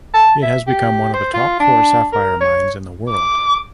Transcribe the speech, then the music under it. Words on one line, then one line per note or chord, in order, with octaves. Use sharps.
It has become one of the top four sapphire mines in the world.
A5
E5
G4
C5
F4
D4
A#4
C#5
D6